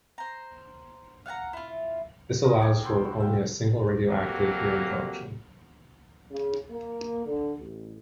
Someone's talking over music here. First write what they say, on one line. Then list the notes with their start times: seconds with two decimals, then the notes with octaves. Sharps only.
This allows for only a single radioactive urine collection.
0.18 C5 A#5
1.26 F5 F#5 G#5 A#5
1.53 E4 F4
2.44 A#4 D#5
2.60 G#4 G5 G#5 D6
2.83 B3 A4 C5
3.04 F#4
3.20 E5 F5 G5
4.08 F2 F#3 A#3 G4
6.30 C#3
6.70 A#3
7.25 D3
7.59 A1